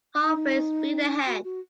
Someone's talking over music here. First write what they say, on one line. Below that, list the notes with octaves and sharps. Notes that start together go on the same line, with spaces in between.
Halfway speed ahead!
D#4
F#4
F#4